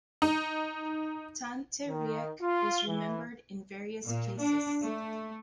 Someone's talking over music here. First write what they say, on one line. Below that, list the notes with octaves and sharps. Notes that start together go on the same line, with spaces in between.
Tante Riek is remembered in various places.
D#4
D#3
F4
E3
A#2
D4
A3